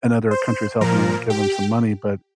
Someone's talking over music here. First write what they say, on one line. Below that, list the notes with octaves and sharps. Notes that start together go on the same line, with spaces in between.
and other countries helping 'em give 'em some money, but
C5
A#2 F3 A#4
G4